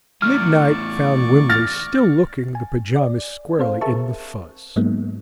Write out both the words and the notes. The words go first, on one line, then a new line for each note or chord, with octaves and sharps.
Midnight found Wimley still looking the pajamas squarely in the fuzz.
E2 A2 D5 C#6 F6
F6 A6 A#6
G#5
D5
C4 A4 C5 F5
G#4 A#4 E5 A5 C#6
G#2 F#3 G#3 A#3 B3 D#4